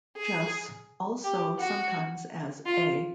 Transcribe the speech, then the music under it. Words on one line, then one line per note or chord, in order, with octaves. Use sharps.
Juss., also sometimes as A.
G#4
G4
F#4
F4